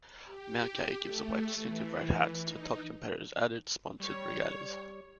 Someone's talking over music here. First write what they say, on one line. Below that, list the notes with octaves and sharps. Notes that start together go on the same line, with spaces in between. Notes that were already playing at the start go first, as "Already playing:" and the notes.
Mount Gay gives away distinctive red hats to top competitors at its sponsored regattas.
G4
A3
E3
D#4
G3 C#5